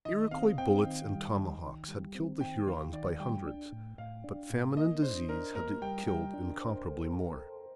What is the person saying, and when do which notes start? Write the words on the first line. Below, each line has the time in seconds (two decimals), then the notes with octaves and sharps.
Iroquois bullets and tomahawks had killed the Hurons by hundreds, but famine and disease had killed incomparably more.
0.05 D#3 D#5
0.31 C4 F5
0.58 C4 G5
0.83 D#3
1.10 G3
1.36 D#3
1.63 D#3
1.88 G3
2.15 C4
2.41 D#3 G5
2.67 D#3 F5
2.93 D#3 D5
3.20 G3 G5
3.46 D4
3.72 A2
3.98 A2 F5
4.24 D4
4.50 A2
4.76 A#3 D#5
5.02 D4 C5
5.29 D4 A#4
5.55 A#3 A#4
5.82 G3 G5
6.08 G3 G5
6.34 D4
6.60 C5
6.86 A4
7.13 A4
7.38 C5